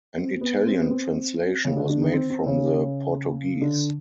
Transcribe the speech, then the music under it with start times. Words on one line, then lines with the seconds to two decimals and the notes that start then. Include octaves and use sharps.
An Italian translation was made from the Portuguese.
0.17 C4
0.41 B3
0.66 C4
0.80 B3
0.91 C4
1.65 C#3 C#4
1.77 D3 D4
1.89 D3 D4
2.01 D#3 D#4
2.13 C4
2.30 C4
2.46 C#3 C#4
3.61 D3 D4